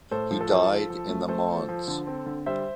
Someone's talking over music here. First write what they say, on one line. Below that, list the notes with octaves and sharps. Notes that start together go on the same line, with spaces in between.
He died in the manse.
A2 A4 C5
F3
A4
F3
F3
F3
A3
A3 A4 C5
F3
F3
D3
C4
D3
G3 C5 E5